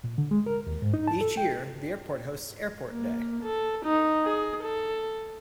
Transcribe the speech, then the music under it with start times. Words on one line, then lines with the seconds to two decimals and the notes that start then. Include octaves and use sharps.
Each year, the airport hosts Airport Day.
0.04 A#2
0.18 D3
0.31 G#3
0.46 A#4
0.66 D#2
0.82 G#2
0.94 D#4
1.07 A5
1.21 A4
1.37 G5
2.90 A#3
3.43 A4
3.86 D#4
4.25 G#4
4.63 A4